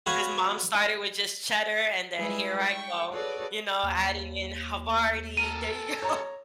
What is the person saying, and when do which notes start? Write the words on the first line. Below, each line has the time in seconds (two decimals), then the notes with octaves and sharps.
'Cause mom started with just cheddar, and then here I go, you know, adding in Havarti there you go.
0.06 B3 F#4 B4 C#5 F5 G#5
2.16 G3 G#3 E4 G#4 B4
2.62 G5 C#6
3.10 F#4 G#4 A4 B4 C#5 D5
3.84 D#2
5.37 A4 A#4 D#7
6.02 C#5 A#5